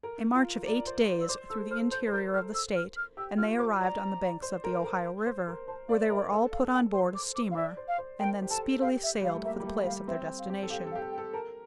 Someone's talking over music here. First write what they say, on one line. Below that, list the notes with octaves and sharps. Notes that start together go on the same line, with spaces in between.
A march of eight days through the interior of the state, and they arrived on the banks of the Ohio river, where they were all put on board a steamer, and then speedily sailed for the place of their destination.
A#4
F4
D5 A#5
C5
E6
C5 D6
A4 E6
C5 F6
C5 G6
C5
A#4 G6
A4 F6
E6
F6
F6
G4 E6
F4 F6
C5 D6
D5 A#5
C5
A#4
A#4
C5
A#4
C5 A5
D5 F5
A#4 E5
A4 E5
F5
G5
C5 C6
D6
D6
F5
D5 E5
C5
F5
C5
A#4 G5
G4
A4 A5
G4 F5
E5
G3 F5
A3
A#3 E5
G3
A3
G3 F5
C4 E5
F5
G4
A4
G4 F5
A4 F5
G4
A4
G5
A4
A#4 A5